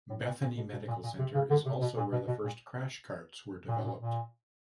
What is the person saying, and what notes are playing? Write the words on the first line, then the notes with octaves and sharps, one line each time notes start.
Bethany Medical Center is also where the first "crash carts" were developed.
A2
A#2
A#2
B2
B2
A#2
A#2
C3
C#3
D3
C3
B2
A#2
B2
B2
A#2
A#2
A2
A#2
A#2